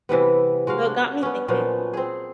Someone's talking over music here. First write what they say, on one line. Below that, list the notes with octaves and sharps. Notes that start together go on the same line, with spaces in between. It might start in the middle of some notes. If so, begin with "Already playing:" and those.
So it got me thinking,
C3 E3 G3 B3
G#3 F#4 A#4 F5
D4
B3 C#4
A#2 F3 F#3 B3
C4 G#4